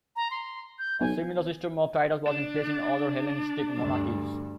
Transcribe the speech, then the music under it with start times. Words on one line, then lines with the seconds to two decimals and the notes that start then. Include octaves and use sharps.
A similar system of titles was in place in other Hellenistic monarchies.
0.16 A#5
0.31 C6
0.79 G6
1.01 B1 G#5
2.27 D4
3.76 D2 G2